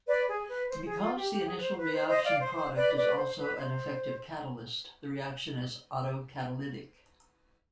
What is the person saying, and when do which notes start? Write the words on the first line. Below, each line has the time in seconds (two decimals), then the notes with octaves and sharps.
Because the initial reaction product is also an effective catalyst the reaction is autocatalytic.
0.08 B4 D5
0.28 G#4
0.48 B4
0.69 C5
0.85 G#4
1.00 F4
1.16 G4
1.32 G4
1.47 G#4
1.58 B4
1.62 C5
1.78 B4
1.94 C5
2.08 C5 D#5
2.24 D5 F5
2.39 C5
2.55 C5
2.75 B4 D5
2.96 B4 D5
3.17 C5
3.37 B4
3.58 C5